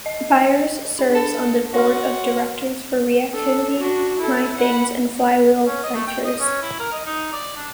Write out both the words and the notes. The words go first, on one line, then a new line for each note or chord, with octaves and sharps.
Byers serves on the Board of Directors for Reactivity, MyThings, and Flywheel Ventures.
D#5
D4
A4
F#4 C#5 C6 F6
D4 A4
D4 F#4
E4 A4
F#5 B5
C#4
D#5
A3
G5
D#5
C#4
E4
A#4
D#5
D#4
D5
D4